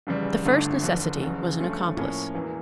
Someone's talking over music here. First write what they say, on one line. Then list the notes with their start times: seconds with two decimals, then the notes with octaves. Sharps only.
The first necessity was an accomplice.
0.07 F1 E2 C#3 G3
0.45 G1 G2 D3 A3
0.83 F1 E2 D3
1.20 F1 E2 C#3
1.59 G2 F3 A3 C#4 F4
1.97 A2 F3 A#3 C#4
2.34 E1 E2 E3 A#3